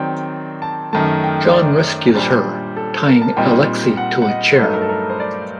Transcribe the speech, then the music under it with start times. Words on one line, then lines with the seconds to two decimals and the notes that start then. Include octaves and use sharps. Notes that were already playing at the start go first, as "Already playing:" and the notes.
John rescues her, tying Alexei to a chair.
Already playing: D#3 F#3 C4 D5 G5
0.62 A5
0.93 F#2 D#3 A3 A5
1.24 G5
1.45 C5
1.54 D5
2.15 A#2 G3 D4 C5
2.76 A4
3.06 A#4
3.22 A5
3.37 A#2 G3 C4 D#4 G5
3.97 F#5
4.22 F#5
4.29 D#5
4.58 G2 F#3 A3 D#4 A4
4.73 A#4
4.82 A4
4.89 A#4
5.10 C5
5.20 D5